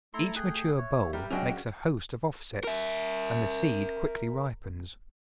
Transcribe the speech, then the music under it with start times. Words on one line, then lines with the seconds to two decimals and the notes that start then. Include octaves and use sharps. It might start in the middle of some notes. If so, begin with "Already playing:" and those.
Each mature bulb makes a host of offsets, and the seed quickly ripens.
0.14 A3 E4 A4 A#5 C6
0.36 G#4 G5 F#6
0.77 C#5 E5
1.13 G3 G4 A#4 B4
1.30 F#2 C#3 C#4 D4 F#4 D#5 G5
2.64 A#4 E5